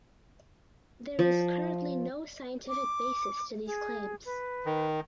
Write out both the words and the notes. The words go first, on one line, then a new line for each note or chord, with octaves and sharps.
There is currently no scientific basis to these claims.
F3
D6
G#4
B4
D#3